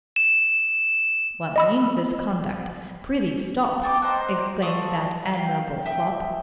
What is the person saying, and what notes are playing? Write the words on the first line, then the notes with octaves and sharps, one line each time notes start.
'What means this conduct? Prithee stop!' exclaimed that admirable slop.
E7
D#5 B5 E6
G5 A5 C#6 D6
C4 D#4 C5 F#5
A4 F5 C#6 D#6
F5 G5
E5 G5 D#6